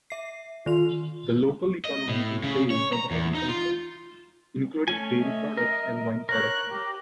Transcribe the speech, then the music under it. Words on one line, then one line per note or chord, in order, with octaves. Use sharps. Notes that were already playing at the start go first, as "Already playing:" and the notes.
The local economy is based on agriculture, including dairy products and wine production.
E5 C7
D#3 F4 F7
D#5
A2
C#3
C#5
A#5
E2
D#4
F4
A3 C#4 G#5
D#5 E5
A#4
A#4 C#5 F#6
G4